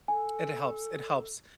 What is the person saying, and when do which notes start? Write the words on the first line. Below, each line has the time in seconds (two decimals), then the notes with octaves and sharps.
it helps it helps
0.08 A4 G#5